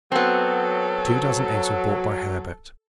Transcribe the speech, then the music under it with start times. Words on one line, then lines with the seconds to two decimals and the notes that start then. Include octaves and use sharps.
Two dozen eggs were brought by Herbert.
0.12 F#3 B3 C4 A4